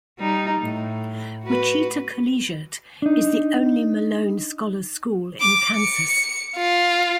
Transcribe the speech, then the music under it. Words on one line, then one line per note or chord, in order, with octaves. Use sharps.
Wichita Collegiate is the only Malone Scholars School in Kansas.
G3 D#4
A2
F#4 B4
D4 D#4
D6
C#7
F4